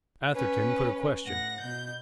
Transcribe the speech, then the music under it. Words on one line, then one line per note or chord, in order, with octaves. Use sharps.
Atherton put a question.
C#4 B4
A2 F#5 A#6
B2 G6